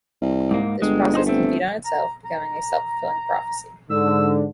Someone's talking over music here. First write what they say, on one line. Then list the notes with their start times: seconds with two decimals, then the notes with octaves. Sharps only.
This process can feed on itself, becoming a self-fulfilling prophecy.
0.22 C2
0.51 G#2 A#3
0.82 G1 G#3
1.14 D#4 G#4 C5
1.27 A3 C4
1.86 A#5
2.25 A#5
3.90 G#2 D3 E6